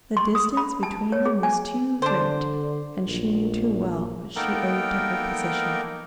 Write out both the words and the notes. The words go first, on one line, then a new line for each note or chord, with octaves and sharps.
The distance between them was too great, and she knew too well what she owed to her position.
C6
D#6
B5
A5
C#5
G#4
G#5
D3 D4 C5
A#1
A#3 B3 D#4 A4 A#4 G5